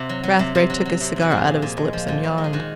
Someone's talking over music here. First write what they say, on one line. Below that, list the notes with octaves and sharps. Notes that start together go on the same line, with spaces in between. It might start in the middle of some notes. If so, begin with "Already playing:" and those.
Rathbury took his cigar out of his lips and yawned.
Already playing: C3 F#4
F#3
F#3
C3
C3
F#3
F#3
C3
C3
F#4
F3 G#4
A#2
A#2
G#3
F3
A#2
A#2
G#3
G#4
D#3 F#4